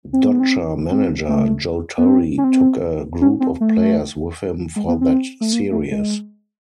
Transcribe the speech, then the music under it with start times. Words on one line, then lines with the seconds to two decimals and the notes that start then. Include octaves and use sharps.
Dodger manager Joe Torre took a group of players with him for that series.
0.13 C4
0.26 B3
0.40 C4
0.91 C4
1.29 A3
1.98 B3
2.05 C4
2.38 C#4
2.44 C4
3.21 C#4
3.40 C4
3.61 A3
4.76 G#3
4.89 B3
5.01 C4
5.41 A3
5.53 A#3
5.72 A3
5.91 G#3